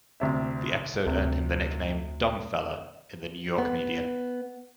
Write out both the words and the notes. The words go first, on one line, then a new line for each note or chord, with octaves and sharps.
The episode earned him the nickname 'dumbfella' in the New York media.
D2 C3 E5
D2 C3
B3